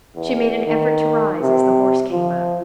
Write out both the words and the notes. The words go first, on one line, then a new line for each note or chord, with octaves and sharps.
She made an effort to rise as the horse came up.
E2
D#3
C3
F3